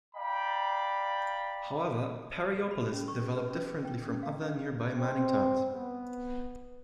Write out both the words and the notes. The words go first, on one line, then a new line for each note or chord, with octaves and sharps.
However, Perryopolis developed differently from other nearby mining towns.
D5 F5 G5 A#5 B5
G#4
B5
C#4
C#6
G#4
B4
C#4
G5
C#4
F5
D4
C4
B3